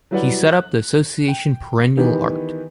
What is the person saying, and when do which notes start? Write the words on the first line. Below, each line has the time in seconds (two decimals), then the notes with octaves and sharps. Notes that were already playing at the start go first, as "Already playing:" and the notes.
He set up the association Perennial Art.
0.11 F#3 G3 E4 B4 D5 F#5
0.51 F#6
1.28 G5
1.97 D#3 E3 B3 D#4 G4 B4